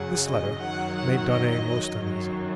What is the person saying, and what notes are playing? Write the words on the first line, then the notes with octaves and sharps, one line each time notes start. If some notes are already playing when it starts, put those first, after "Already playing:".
This letter made Darnay most uneasy.
Already playing: F#2 C#3 F#3 F#5
D#5
F#2 D#3 F#3 F#5
F#5
D#5
F#2 D#3 F#3